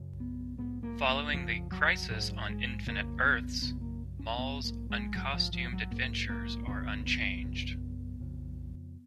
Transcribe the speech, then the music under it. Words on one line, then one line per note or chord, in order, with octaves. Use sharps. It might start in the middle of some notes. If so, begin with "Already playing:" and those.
Following the "Crisis on Infinite Earths", Mal's uncostumed adventures are unchanged.
Already playing: F#2 C#3
B3
G#2 B3
A#3
A#3
F2 C#3 F3
F#3
G#2 F#3
G#3
F2 C#3 A#3
B3
F#2 C#3 B3
A#3
C#4
G#2 B3
A#3
G#3
G#2 F#3
F3
F3
F#3
G#2 A#3
A#3
F2 C#3 B3
B3
F#2 C#3
F2 C#3